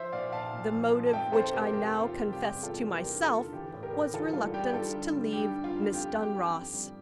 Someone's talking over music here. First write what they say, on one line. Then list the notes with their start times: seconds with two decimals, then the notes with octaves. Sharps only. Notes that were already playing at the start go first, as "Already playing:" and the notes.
The motive which I now confessed to myself was reluctance to leave Miss Dunross.
Already playing: F3 C5 E5
0.12 A#2 D5 F5
0.32 A#2 F5 A5
0.53 A#2
0.73 F3
0.93 F3
1.06 A5
1.12 F2 E5 G5
1.32 F2 A4 C5
1.52 C3 G4 A#4
1.72 F2 G4
1.93 F2
2.03 F4
2.13 C3
2.33 G3 G4
2.54 E2
2.63 F4 A4
2.72 E2
2.93 E2 G4 A#4
3.13 D3
3.22 F4 A4
3.33 D3
3.53 E3 G4
3.74 A2
3.83 G4 A#4
3.93 A2
4.13 E3 F4 A4
4.33 G3 F4 A4
4.54 G3 G4
4.73 G2 F4 A4
4.93 D3
5.13 G3
5.33 G2 G4
5.54 G2
5.64 F4
5.73 G2
5.93 F2 G4
6.14 F2
6.23 G4
6.34 F2
6.54 F2
6.73 G3